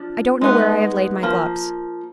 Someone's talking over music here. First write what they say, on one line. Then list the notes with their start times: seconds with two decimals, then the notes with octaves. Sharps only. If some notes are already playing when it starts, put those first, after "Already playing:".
"I don't know where I have laid my gloves."
Already playing: F3 D4
0.41 G#3 B3 D#4
1.23 F3 A#3